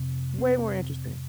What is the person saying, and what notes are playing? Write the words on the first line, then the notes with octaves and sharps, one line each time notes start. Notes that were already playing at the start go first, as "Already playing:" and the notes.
way more interesting.
Already playing: F2 C3 C4
C4